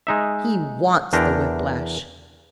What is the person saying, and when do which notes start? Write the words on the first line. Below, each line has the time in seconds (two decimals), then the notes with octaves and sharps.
He wants the whiplash.'
0.07 G#3 D#4 E5
1.13 E2 D4 A#4 G5 A#5